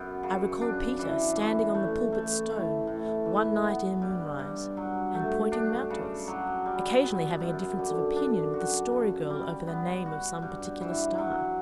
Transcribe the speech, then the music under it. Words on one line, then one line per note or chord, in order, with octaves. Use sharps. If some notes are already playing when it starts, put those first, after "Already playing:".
I recall Peter standing on the Pulpit Stone, one night ere moonrise, and pointing them out to us, occasionally having a difference of opinion with the Story Girl over the name of some particular star.
Already playing: F#2 B3
C#3
D4
E3
E3
A3
A3
A2
A2
E3
B3
G2
G2
F#3
A3
D4
C#3
F#3
G3
B3
F#2
D3
D4
F#4
C#3
G3
B3
F#4
G2
E3
F#3